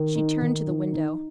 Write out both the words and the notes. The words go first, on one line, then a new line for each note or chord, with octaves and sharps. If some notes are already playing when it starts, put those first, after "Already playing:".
She turned to the window.
Already playing: D#3
D#4
D#3
D#4
D#4